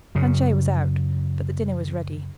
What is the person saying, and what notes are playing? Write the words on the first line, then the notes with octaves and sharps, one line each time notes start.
Planchet was out, but the dinner was ready.
F#2 C#3